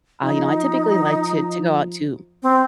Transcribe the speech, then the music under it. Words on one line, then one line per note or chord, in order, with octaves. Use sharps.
uh, you know, I typically like to to go out to
F3 D#4
C4